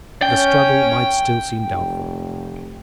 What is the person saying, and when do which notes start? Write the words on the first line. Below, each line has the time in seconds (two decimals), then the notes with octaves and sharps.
The struggle might still seem doubtful.
0.22 C#4 G5
1.63 F1